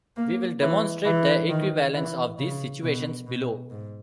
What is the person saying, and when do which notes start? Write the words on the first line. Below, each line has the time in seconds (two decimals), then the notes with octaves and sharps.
We will demonstrate the equivalence of these situations below.
0.17 A#3
0.61 E3
1.05 E3
1.50 D#3
1.94 E3
2.38 C#3
2.82 B2
3.27 B2
3.71 G#2